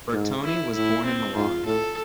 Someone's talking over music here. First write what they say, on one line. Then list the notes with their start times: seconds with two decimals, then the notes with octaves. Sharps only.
Bertoni was born in Milan.
0.13 G#2
0.44 E4
0.75 A2 E4
1.05 C4
1.35 G#2 F4
1.65 A2 A4